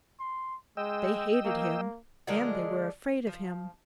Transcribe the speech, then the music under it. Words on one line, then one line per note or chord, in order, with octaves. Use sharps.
They hated him, and they were afraid of him.
C6
G#3 D#5 G5 E6
A#3
D3 F3 G#3 A#4
F3